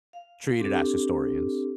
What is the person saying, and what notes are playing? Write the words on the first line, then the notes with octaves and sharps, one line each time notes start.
treated as historians.
F5
C4 D4 G4 A4